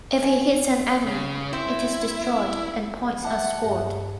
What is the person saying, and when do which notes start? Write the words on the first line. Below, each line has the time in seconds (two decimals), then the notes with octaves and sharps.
If he hits an enemy, it is destroyed and points are scored.
0.17 C#4
1.07 C#3
1.53 C4 E4
3.23 E5 F#5 A5 D6
3.64 G2